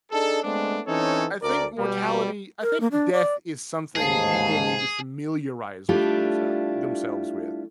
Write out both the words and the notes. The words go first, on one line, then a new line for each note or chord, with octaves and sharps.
I think mortality I think death is something people need to familiarize with themselves themselves with,
D4 D#4 G#4 A4
G#3 A3 B3 C4 D4
E3 C4 C#4 D#4 A4 C#5
D2 A#4 D5
B2 G3
A#4
A#3
D4
D5
A1 D#2 G#2 G#4 F5 A5
G3 A3 D4 E4 F4 G4